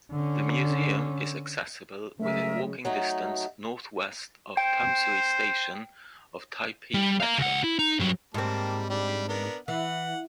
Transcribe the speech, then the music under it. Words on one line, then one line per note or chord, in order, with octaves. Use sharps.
The museum is accessible within walking distance northwest of Tamsui Station of Taipei Metro.
D3 C#4
C#3 F#3 G#3 A3 G#4 A#4 E5
F#3 A3 D#4
C5 G5
G3
F5 A#5
C#2 F#5
E4
D#4
G2 F#3
G#2 G3 A#3 C4 A5
G3 D4
B3 D4 A#4
E3 F#5